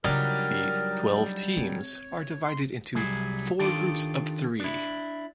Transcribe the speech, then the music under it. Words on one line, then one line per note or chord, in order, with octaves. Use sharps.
The twelve teams are divided into four groups of three.
C#3 F#3 G3 D4 D#4 F4 A#4
C4 C#5
C6
C2 F#3 G3 G#4
D#3 D4 F4 G4 A4
D4 E4